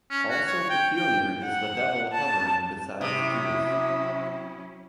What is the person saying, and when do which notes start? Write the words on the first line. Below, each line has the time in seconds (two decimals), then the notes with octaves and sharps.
Also peculiar is the Devil hovering besides Judas.
0.10 C#4
0.30 F#4
0.46 C#5
0.70 G5
0.96 G5
1.44 F#5
2.12 A5
3.01 C3 F#3 C4 C#4 E4 E5 D#6